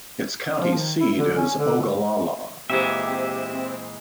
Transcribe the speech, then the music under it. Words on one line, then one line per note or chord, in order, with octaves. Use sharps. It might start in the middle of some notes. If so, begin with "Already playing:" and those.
Its county seat is Ogallala.
F3
D#3
E4
D3
C#4
D3
A#2 E3 G#3 C4 G4 E5